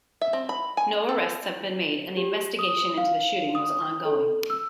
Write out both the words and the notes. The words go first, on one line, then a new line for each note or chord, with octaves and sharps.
No arrests have been made and the investigation into the shooting was ongoing.
E5
C4
B5
G#5
A4
G4
D#6
F5
D#6
A4
E6